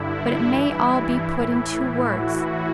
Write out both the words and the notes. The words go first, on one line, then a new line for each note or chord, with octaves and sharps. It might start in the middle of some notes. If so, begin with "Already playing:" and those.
But it may all be put in two words.
Already playing: G2 D3 E4
G2 E3
A2 E3
A2 E3 F#4